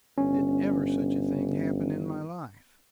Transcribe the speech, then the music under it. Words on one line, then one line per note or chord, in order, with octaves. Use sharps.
Did ever such a thing happen in my life?
G1 C#4